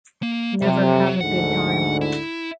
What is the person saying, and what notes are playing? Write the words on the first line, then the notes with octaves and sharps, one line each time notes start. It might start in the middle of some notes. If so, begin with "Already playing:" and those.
Never have a good time.
A#3
F2 C3 F#3
D2 G#2 D3 F#5
E4